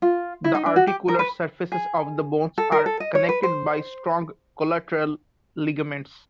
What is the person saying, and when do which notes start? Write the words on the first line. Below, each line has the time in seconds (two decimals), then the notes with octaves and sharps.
The articular surfaces of the bones are connected by strong collateral ligaments.
0.02 F4
0.44 E4
0.55 D#4
0.66 D4
0.76 F#4
0.87 G4
1.08 A#4
1.19 B4
1.72 G#4
2.58 A4
2.72 A#4
2.86 A4
3.00 D#5
3.15 C#5
3.29 B4
3.43 C5